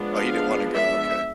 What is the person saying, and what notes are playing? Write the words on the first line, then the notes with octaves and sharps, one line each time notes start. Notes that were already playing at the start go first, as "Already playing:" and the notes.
Oh, he didn't wanna go, okay.
Already playing: F3 G#3 B3 D4
F5
E5